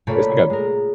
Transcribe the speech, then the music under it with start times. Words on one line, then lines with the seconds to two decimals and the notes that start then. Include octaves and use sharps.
it's, like, a
0.07 A#2 A3 A#3 C#5 D5 B5
0.50 G#3 A#4